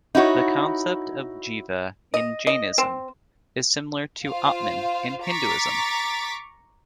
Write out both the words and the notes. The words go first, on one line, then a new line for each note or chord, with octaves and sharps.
The concept of "jiva" in Jainism is similar to "atman" in Hinduism.
D#4 E4 F#4 C#5
D#5
D#5
C4
F4 C5 F5
A#5 C#6 D6 A6 B6